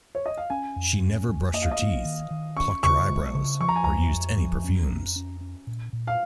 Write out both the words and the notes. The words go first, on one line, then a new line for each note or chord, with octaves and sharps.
She never brushed her teeth, plucked her eyebrows, or used any perfumes.
C#5
D#5
F5
C#4 G#5
F2
C#4
F2
A#3 D#5
F5
D#5
A#3
D#3
D#3
C#4 C#6
C#3 C#6
G#3
C#3
F3 C#6
A#5
G#5
F2 A#5
F2
F3
C#4
F2
C#4
C#4
A#2
A#2
F5